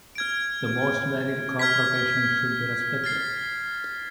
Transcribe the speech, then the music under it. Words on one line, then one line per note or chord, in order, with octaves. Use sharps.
The most varied crop rotation should be respected.
F6 G#6 D7
F6 G#6 B6
F6 A6 C7